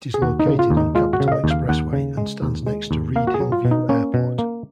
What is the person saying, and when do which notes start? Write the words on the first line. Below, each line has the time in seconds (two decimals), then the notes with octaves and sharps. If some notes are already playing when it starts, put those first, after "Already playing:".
It is located on Capitol Expressway and stands next to Reid-Hillview Airport.
0.14 G#4
0.22 D#2 F#4
0.40 D#4
0.46 C#3
0.59 F4
0.70 D#2
0.77 D#4
0.95 G#3 F4
1.13 F#4
1.20 C#3
1.28 F5
1.32 D#5
1.44 D#2
1.51 F5
1.69 D#2 F#5
1.93 C#3
2.17 G#3
2.42 D#2
2.67 G#3
2.91 D#2
3.16 A#3 F5
3.27 F#4
3.34 G#4
3.40 F#3
3.52 F4
3.65 B2
3.71 D#4
3.89 A#3 C#4
4.14 B2
4.39 A#3